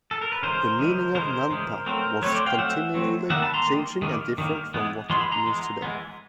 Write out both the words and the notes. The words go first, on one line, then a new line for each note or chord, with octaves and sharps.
The meaning of nanpa was continuely changing and different from what it means today.
A4
A#4
B4
C#3 E3 G#3 A#4 C5
C#3 E3 G#3
C#3 E3 G#3 A#4 C5
C#3 E3 G#3
F#3 A3 C4 A#4 C5
F#3 A3 C4 B4 C#5
C5 D5
F5 G5
F#3 A3 C4 E5 F#5
F#3 A3 C4
D#3 G3 A#3 E5 F#5
A5 B5
A#5 C6
D#3 G3 A#3
D#3 G3 A#3
D#3 G3 A#3
E3 G#3 B3
E3 G#3 B3 C6
B5
A#5 C6
E3 G#3 B3
E3 G#3 B3